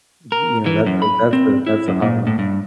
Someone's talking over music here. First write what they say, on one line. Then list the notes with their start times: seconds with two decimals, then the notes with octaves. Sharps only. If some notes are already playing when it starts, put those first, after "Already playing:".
You know, that's a that's a that's a hot one.
0.32 A#4
0.66 E3
0.86 F#2
1.02 B5
1.33 C4
1.67 E4
1.88 F#2
2.02 A#2
2.27 A2
2.39 G2